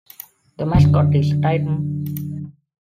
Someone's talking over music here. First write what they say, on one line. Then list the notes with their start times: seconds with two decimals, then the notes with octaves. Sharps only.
The mascot is a Titan.
0.74 F#2 D3